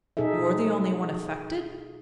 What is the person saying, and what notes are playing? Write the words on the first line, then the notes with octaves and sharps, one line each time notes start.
'You are the only one affected?'
B2 D#4 G#4 A4 E5